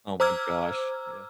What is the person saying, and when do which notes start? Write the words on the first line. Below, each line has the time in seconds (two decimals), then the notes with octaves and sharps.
Oh, my gosh. Yeah.
0.20 C5 A#5 D6 E6 F6 G#6